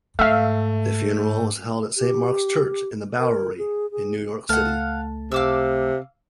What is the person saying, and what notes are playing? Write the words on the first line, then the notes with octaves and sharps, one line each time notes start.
The funeral was held at Saint Mark's Church in-the-Bowery in New York City.
G#2 A3 E5 F5
G4
A#4
G#4
G#4
C#2 A3 F5 F#5 A5
C3 F5 D6 E6